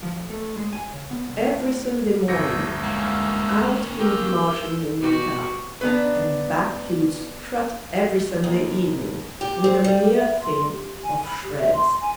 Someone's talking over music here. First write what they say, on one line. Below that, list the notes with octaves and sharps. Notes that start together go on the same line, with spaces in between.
Every Sunday morning out he would march in a new cap, and back he would strut every Sunday evening with a mere thing of shreds.
F3
F2
A3
G#3
G#5
C#3
B3
C2
A2
G1 D2 E6 G6 A#6 C#7
G#3 A#3 C#4 F5 F#5
G4 A#4 C6 E6 G6
B2 F#4 G4
C#3 B3 D4 B4 A#5
D#2
G4
C4
G3
E5
C6
G4
G#5
B5
G4
E5
C6
G#5